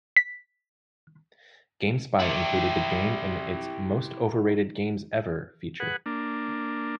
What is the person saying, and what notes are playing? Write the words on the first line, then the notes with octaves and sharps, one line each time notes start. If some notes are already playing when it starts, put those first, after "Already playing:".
GameSpy included the game in its "Most Overrated Games Ever" feature.
B6
E4 G4
G#4 B4 F#5
A#3 D4